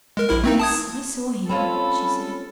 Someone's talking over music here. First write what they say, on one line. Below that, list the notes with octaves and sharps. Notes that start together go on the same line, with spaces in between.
"Yes, I saw him," she said.
G#3 A#4
A#1 E4 A#4
A3 C4 D#4
A5 D#6 G#6
C4 C#4 F4 A4 B5